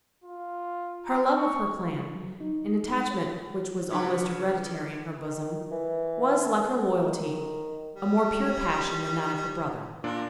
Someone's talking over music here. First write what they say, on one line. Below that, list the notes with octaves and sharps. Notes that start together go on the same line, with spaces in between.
Her love of her clan, an attachment which was almost hereditary in her bosom, was, like her loyalty, a more pure passion than that of her brother.
F4
A#5
C#6
F#3
D#4
C#5
C#3 D4 B4
D#3
E3
D#3
G3
A#2 D4 F4 A#4 D5